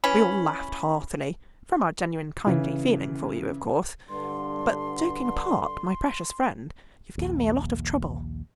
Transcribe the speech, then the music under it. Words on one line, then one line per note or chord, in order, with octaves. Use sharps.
We all laughed heartily--from our genuine kindly feeling for you, of course--but, joking apart, my precious friend, you have given me a lot of trouble.
E3 C#4 B5
C#3 E3
G2 D3 C6
A#1 D#2